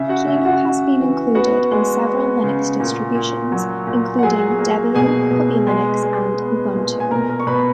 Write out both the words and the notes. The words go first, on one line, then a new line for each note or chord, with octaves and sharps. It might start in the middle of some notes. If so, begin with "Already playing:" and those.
Kino has been included in several Linux distributions, including Debian, Puppy Linux and Ubuntu.
Already playing: C#3 E5
F#4 F#5
C#3 E5
F#4 F#5
C#3
E3
B3 F#4 F#5
G#3
B3
C#3
A#2
A#2
F#3
A#2
F#5
F#3 G#4 G#5
A#3
B2 G#4 G#5
B2
G#3
G#3
B3
A#2
G#5
B2 A#4 A#5
A#4 A#5
C#6
B2 B4 B5